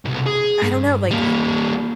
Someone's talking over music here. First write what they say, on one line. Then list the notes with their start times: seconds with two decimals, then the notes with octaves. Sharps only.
I don't know, like
0.05 C2 B2
0.26 G#4
0.62 G2
1.11 G3 A#3